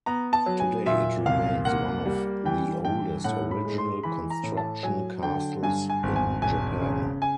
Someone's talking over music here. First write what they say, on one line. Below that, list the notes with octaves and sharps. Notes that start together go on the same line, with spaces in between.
Today it remains one of the oldest original-construction castles in Japan.
B3 A#5
A5
F#3
G#5
A#2 E5
C2 F5
A#3 F#5
G3
E3 G5
G2 G5
A2 F#5
B5
G#3
C6
E3 B5
A#5
A2
A5
F#3 G#5
D3 G5
G2 G#5
G#5
G#1
G#5
E1 G#5
C#3
G#5